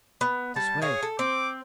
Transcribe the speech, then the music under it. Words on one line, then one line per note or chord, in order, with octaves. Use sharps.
"This way."
B3
G3 A5
G#4 C#5 F5
A4
C4 D6